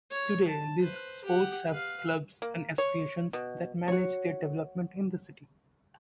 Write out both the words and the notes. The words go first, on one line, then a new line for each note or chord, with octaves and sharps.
Today, these sports have clubs and associations that manage their development in the city.
C#5
A5
B4 C5
G4 F#5
B4 F5
A#3
C#5
B2
F#4 C#5